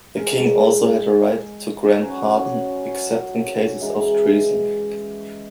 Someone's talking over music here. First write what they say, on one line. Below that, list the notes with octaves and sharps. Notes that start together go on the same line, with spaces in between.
The king also had the right to grant pardon except in cases of treason.
G#3 D#4 A#4
F#3 C#4 F#4 B4
E3 G#3 D#4